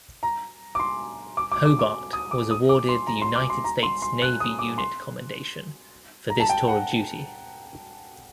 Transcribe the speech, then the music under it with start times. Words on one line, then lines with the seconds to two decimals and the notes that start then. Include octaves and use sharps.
"Hobart" was awarded the United States Navy Unit Commendation for this tour of duty.
0.23 A#5
0.75 D6
0.79 C6
1.37 D6
1.52 D6
1.65 D6
1.79 D6
2.13 D#6
2.31 D6
2.51 D#6
2.69 D6
2.89 C6
3.07 A#5
3.22 C6
3.35 D6
3.50 C6
3.64 A#5
3.83 C6
4.02 C6
4.22 F#6
4.40 D#6
4.59 D6
4.78 C6
6.30 A#5
6.40 A5
6.50 G5
6.68 F#5